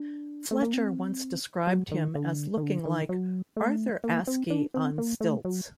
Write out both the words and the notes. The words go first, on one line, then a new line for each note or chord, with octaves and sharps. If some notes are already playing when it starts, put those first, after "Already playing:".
Fletcher once described him as looking like 'Arthur Askey on stilts'.
Already playing: D4
A3
A#3
C4
F#3
D#3
D3
D#3
D3
D#3
F#3
A3
A#3
C4
D4
C4
A#3
A3
F#3